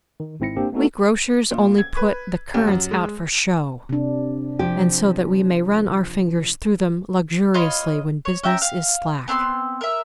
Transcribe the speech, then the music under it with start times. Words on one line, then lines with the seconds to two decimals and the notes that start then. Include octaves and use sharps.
We grocers only put the currants out for show, and so that we may run our fingers through them luxuriously when business is slack.
0.20 D#3
0.40 G#1 G#2 C4 E4 A#6 C#7
0.56 A#3 C4 D4 G4
0.72 A3 B3 C#4 D#4 F#4 A4
1.51 A#2
1.78 G#6
1.97 B4
2.54 D#2
2.67 F#2
2.91 G#3
3.89 C3 D4
4.59 F3 G4
7.54 F4 C#5 D#5 B5
8.25 C#5
8.43 C#4 E5 G5 A#5
8.62 F5
9.28 B3 C4 B5 C6
9.81 A#4 E5